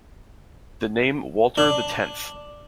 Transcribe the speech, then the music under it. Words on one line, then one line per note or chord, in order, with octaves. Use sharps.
The name Walter the Tenth.
D4